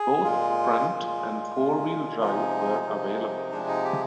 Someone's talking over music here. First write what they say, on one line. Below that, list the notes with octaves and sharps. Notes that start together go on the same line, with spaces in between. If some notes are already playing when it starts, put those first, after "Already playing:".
Both front- and four-wheel drive were available.
Already playing: G#4
A#2 G#3 F4
A#2 G#3
A#2 G#3
C3 F3 G#3 D#4
C3 F3 G#3
C3 F3 G#3 D4
D#4
G4